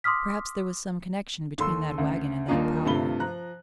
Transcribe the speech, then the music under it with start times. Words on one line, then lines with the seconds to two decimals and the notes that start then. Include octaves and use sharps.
Perhaps there was some connection between that wagon and that prowler.
0.04 C6 D6 D#6 F6 B6
1.58 D#2 A4 C6 E6
1.98 D2 C#3
2.48 D#1 D#2 A#3 D4 D#4 F4
2.85 G2 C3 A3 F4 B5 G7
3.20 F3 A#5 F#6